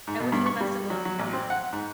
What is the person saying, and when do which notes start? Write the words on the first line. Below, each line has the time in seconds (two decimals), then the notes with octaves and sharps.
I wish you the best of luck.
0.07 G#2
0.20 B2
0.32 G2
0.46 C#6
0.61 G3
0.90 F#3
1.05 F#3
1.19 A1
1.33 C4
1.50 F#5
1.73 G#2